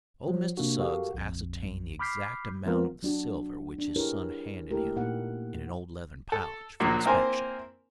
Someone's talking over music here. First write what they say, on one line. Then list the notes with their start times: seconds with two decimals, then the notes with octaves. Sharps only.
Old Mr. Suggs ascertained the exact amount of the silver which his son handed him, in an old leathern pouch, for inspection.
0.28 F3 F#3
0.57 C3 A#3 D4 F#4
0.79 F#4 G4 A4 A#4 F5
1.14 A#1 F2
1.99 B5 D6 F6 G6 B6 C7
2.66 F3 G#3 B3 C4 F4 A#4
3.03 F#3 D4 F#4
3.78 D4
3.96 E4 G4 G#4 A#4 B4 C#5
4.70 A3 A#3 E4 G4 A4 A#4
4.96 A#2 A#3 B3 D#4 F#5
6.32 A4
6.80 A#1 A#2 F#3 A#3
7.04 A#3 C4 E4 A#4 C5 G#5